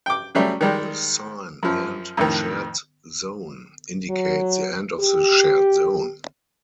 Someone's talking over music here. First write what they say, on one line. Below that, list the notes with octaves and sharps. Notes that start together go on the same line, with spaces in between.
The sign "End Shared Zone" indicates the end of the "shared zone".
G5 D6
C#3 F#3 G3 A3
D#3 G3 G#3
F#2 F3
F2 A2 D#3
F#3
G4